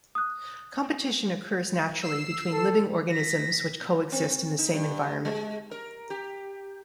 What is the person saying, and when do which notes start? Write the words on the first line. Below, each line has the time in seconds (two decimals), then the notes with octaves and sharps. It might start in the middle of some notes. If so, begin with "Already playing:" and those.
Competition occurs naturally between living organisms which co-exist in the same environment.
0.15 D#6 F#6
2.02 E6 C7 E7
2.52 A4
3.10 A#6 B6
4.12 C4
4.58 D#4
4.74 G2
5.25 G#3
5.71 A#4
6.10 G4